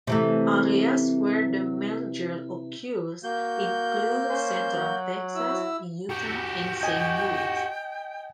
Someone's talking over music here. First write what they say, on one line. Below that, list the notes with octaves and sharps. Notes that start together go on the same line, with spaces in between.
Areas where the merger occurs include central Texas, Utah, and Saint Louis.
C3 E3 A3
A#3 F#4 G6
C#4 C5
F#3 F#4
E4 E6
F#4 G4 G5
D#5 G#5